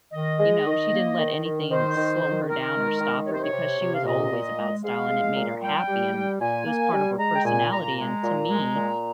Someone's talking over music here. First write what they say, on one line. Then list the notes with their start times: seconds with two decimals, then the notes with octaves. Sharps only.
you know, she didn't let anything slow her down or stop her because she was always about style, and it made her happy, and it was part of her personality. And to me,
0.13 D#3 D#5
0.39 G#3
0.66 D#3
0.91 A#3
1.18 D#3
1.44 D#3
1.70 D#3 C5
1.96 D#3
2.22 D#3
2.49 D#3 A#4
2.75 G#3
3.00 D#3
3.27 C3 C#5
3.34 C5
3.42 C#5
3.52 C3
3.80 C3
3.94 F5
4.04 A#2 D#5
4.32 A#2
4.58 G#3
4.84 G#3 F5
5.10 G#3
5.35 A#2
5.62 G3 G5
5.88 G3
6.14 G3
6.40 A#2 G#5
6.66 A#3
6.93 G3
7.18 G#3 A#5
7.35 G5
7.45 A#2 G#5
7.71 A#2 A#5
7.97 G#3 A#5
8.23 A#2
8.50 G#3
8.75 A#2